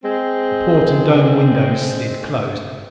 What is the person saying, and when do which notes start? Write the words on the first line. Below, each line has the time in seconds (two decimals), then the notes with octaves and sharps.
The port and dome windows slid closed.
0.04 G#3 C4